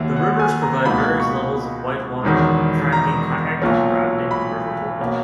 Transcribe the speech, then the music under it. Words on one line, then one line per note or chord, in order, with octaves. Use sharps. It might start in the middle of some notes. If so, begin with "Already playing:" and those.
The rivers provide various levels of white water, attracting kayaking, rafting and river boarding.
Already playing: D#2 D#3 F#3 C#4 E5
F#5
G#5
A#5
C#2 B2 A#3 D#4 B5
C#6
E1 E2 D#3 F#3
A#5
B1 A#2 F#3 C#4
B5
B2 A#3 C#4